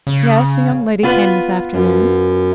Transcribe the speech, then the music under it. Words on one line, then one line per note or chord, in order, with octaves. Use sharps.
"Yes; a young lady came this afternoon."
C#3
B3 F4 B4
F#2